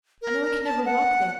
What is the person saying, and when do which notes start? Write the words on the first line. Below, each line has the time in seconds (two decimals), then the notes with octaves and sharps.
I know I can never walk there.
0.22 A#4
0.65 A5
0.86 F#5